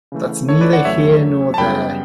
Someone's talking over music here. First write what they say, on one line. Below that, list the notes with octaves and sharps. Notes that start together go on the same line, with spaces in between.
That's neither here nor there.
C#3 E3 A3
A4 C#5
B4 D5
D5 F#5
E2 C#3 F#3 A3 C#5 E5
A5
F#2 C#3 G3 B3 G5 B5